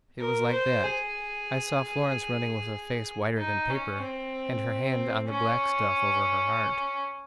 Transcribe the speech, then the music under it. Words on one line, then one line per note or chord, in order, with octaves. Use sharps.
It was like that--I saw Florence running with a face whiter than paper and her hand on the black stuff over her heart.
A#4
C5
G#4
D#4
C#4
C4
C#4